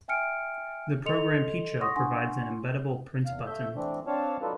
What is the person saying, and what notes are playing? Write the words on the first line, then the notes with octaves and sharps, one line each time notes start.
The program Peecho provides an embeddable print button.
E5 G5 G#5 F6 C#7 D7
A4 D#5 C6 C#7 F7
F#5 C6 C#6 D#6 A#6
D4 F#5 G#5 C6 C#6
E2 F5
A3 E5 G6
E3 A3 C4 D4
C4 D4 C#5 F5 A5
F#3 D4 D#4 F4 A4 B4